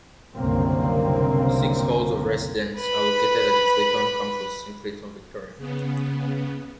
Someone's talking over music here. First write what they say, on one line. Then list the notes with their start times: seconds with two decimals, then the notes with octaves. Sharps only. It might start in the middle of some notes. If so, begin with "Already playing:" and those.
Six halls of residence are located at the Clayton campus in Clayton, Victoria.
0.36 F#1 C2 F#2 D3 A#3 C4
2.79 B4 B5
5.57 C#3 B3